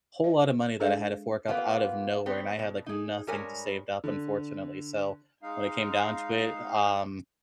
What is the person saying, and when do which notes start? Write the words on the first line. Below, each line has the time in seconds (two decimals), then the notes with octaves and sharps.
whole lotta money that I had to fork up out of nowhere, and I had, like, nothing to saved up, unfortunately so, when it came down to it, um,
0.24 D#5
0.80 G#3 D4 G#4 A4 E5 F5
1.48 A#3 B3 F4 G4
2.26 B3 C4 C#5
2.59 B2
2.86 D#4 G#4
3.27 G2 G3 G#3 A#4 C#5 G#5
4.04 D3
5.43 G#3 D#4 F5